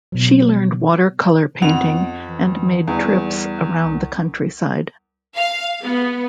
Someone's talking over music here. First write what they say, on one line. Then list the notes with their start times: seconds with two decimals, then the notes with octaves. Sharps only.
She learned water colour painting and made trips around the countryside.
0.12 B2 F#3
1.62 F2 B3 F#5 F7
2.26 E3
2.88 E2 G3
3.81 C2
5.35 F5
5.83 B3